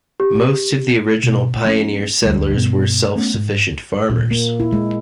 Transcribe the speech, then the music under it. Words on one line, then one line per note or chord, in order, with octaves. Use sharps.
Most of the original pioneer settlers were self-sufficient farmers.
G4
B2
F3 A#3 C#4
E1 D2 G3 G#3
G2 B2 B3
A3 B3 C#4
G#2
A#2
A#3
E4
G#3